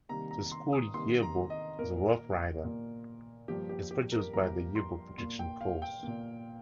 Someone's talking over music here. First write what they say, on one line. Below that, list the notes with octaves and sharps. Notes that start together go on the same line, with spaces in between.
The school yearbook, the "Rough Rider", is produced by the yearbook production course.
C3 D#3 G3 A#3 A#5
A#5
C6
D#6
C3 D#3 G3 A#3 C6
A#5
D#5
A#2 A#3 A#4
A#2 A#3
G2 F3 A#3 G4
G4
G4
A#4
G2 F3 A#3 A#5
C6
A#2 A#3 C6
G5
F5
G5
A#2 A#3